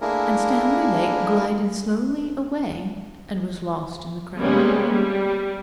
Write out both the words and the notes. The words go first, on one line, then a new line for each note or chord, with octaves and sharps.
And Stanley Lake glided slowly away, and was lost in the crowd.
A3 A#3 D4 E4 G#4 A#4
C3 G3 G#3 A#3 B3 C#4
G3